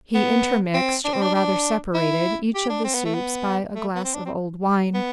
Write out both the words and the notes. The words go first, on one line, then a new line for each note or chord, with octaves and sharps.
He intermixed, or rather separated, each of the soups by a glass of old wine.
B3
C4
D4
C4
D4
D4
E4
G4
D4
C4
B3
A3
B3
A3
B3
C4
D4
C4
B3